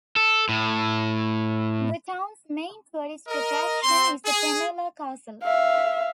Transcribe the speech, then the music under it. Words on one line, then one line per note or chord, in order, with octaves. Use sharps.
The town's main tourist attraction is the Penela Castle.
A4
A2
A#4 D#5
C4 C6
G#4
E5 F5